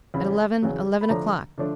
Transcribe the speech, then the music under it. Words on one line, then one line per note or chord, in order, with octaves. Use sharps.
At eleven--eleven o'clock.
E2 C#3 F#3 B5
E2 C#3 F#3
B5
D3 F3 A3 D4 A#5
D3 F3 A3 D4